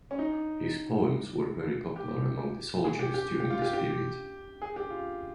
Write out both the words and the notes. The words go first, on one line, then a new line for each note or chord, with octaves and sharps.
His poems were very popular among the soldiers during this period.
C#4
D#4
G4
G#4
G4
G4
G4
F4
G4
G4
G#4
G4
F4